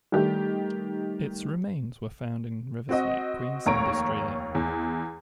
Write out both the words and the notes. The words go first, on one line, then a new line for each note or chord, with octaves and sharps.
Its remains were found in Riversleigh, Queensland, Australia.
D#3 G3 A3 G4
C4 F#4 D#5
F1 D#2 C#5 A#5 C#6 D7
E2